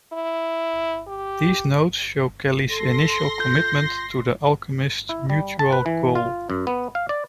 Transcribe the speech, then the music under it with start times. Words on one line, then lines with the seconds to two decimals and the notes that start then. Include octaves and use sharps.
These notes show Kelley's initial commitment to the alchemists' mutual goal.
0.13 E4
1.08 G4
2.67 A4 C6 A#6
3.39 F4 G6
5.09 E4
5.30 G3
5.59 A5
5.73 B4
5.86 E3
6.15 F4
6.50 F#2
6.67 B3
6.95 F5
7.09 D5